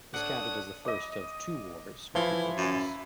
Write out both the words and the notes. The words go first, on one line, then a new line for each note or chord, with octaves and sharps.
This counted as the first of two wars with the Gurkhas.
D4 A4 C#5 F#5 D#6
D#5 D6
E3 F3 E4
F#2